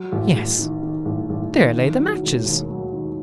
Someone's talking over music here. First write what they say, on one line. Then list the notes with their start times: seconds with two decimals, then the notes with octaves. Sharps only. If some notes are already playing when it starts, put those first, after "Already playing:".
Yes, there lay the matches.
Already playing: F#3
0.12 A1
0.36 A1
0.59 D#3
0.83 D#3
1.05 A1
1.30 A1
1.53 D#3
1.76 D#3
2.00 F#3
2.23 E1
2.46 D#2
2.70 F#3
2.93 D#3